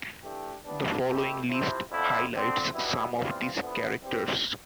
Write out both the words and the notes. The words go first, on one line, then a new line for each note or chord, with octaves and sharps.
The following list highlights some of these characters.
E3 A3 D4 G4
E3 G3 B3 D4
B2 A3 E4 G4
C3 F3 C4 E4
F2 D3 F3 B3 E4
D3 F3 C4
B2 G3 B3 E4
E3 G3 C4 F4
D3 F3 B3 E4
E3 G3 C4 G4